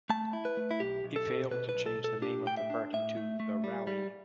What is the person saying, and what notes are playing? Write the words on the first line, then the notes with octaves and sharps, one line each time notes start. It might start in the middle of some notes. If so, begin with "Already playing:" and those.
He failed to change the name of the party to "The Rally".
A3 A5
E4
B4
A3
E4
B1 G4
B1
A4
B2
B2 B4
B4
B1
A4
B2
A4
D4 G4
A2 G5
E5
D4
A2 E5
A3
A3
G3
G3